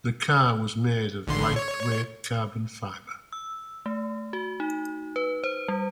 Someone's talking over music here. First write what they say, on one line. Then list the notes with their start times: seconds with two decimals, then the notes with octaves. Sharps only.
The car was made of lightweight Carbon Fibre.
1.27 A1 D3 C6
1.56 C#5
3.33 E6
3.86 A3
4.33 F#4
4.60 D#4
5.16 B4
5.44 C5
5.68 G3